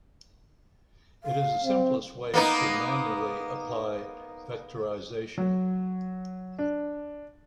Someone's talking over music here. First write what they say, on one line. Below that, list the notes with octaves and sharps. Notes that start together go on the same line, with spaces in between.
It is the simplest way to manually apply vectorization.
F5
C4
A#3 B3 D#4
F#3
D4